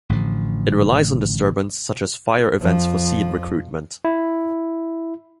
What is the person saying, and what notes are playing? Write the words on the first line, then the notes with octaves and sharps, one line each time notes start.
It relies on disturbance such as fire events for seed recruitment.
A1 A2 D3 F3
F2 F3
E4